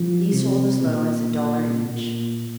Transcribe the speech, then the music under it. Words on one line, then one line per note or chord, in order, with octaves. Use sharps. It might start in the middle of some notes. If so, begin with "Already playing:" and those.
These sold as low as a dollar each.
Already playing: F3
C3
A#2
A#2